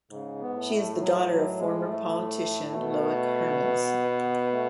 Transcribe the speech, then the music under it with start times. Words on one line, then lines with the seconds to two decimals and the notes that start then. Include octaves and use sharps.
She is the daughter of former politician Loek Hermans.
0.11 G#2 C#3
0.41 B3
0.55 A2
0.69 A3
1.00 F#3
1.29 F#3
1.59 G#3
1.88 A3
2.76 B2
3.64 B3
4.08 B3
4.52 A3